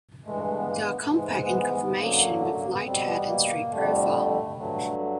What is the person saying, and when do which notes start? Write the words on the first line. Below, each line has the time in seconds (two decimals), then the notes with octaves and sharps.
They are compact in conformation with a light head and straight profile.
0.25 G2 E3 G#3 A3
0.35 A3
0.45 A3
0.57 B3
0.68 A#3
0.82 B3
0.97 A3
1.10 G#2 E3 G#3 A3
1.22 A3
1.33 B3
1.43 B3
1.97 F#2 D3 F#3 A#3
2.40 A3
2.55 A#3
2.69 B3
2.83 B2 G3 C4
3.05 B3
3.26 A#3
3.70 F2 D3 G3 A3
4.56 G2 D3 F#3 A3
4.99 A3